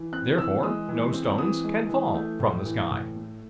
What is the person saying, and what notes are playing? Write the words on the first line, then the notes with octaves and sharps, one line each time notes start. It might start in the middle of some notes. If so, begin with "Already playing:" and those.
Therefore no stones can fall from the sky.
Already playing: E3
C4 F#6
E3 E6
G#3 D#6
E3
C4
E3 D#6
G#3
E3
A3
A2
E3
A2
A3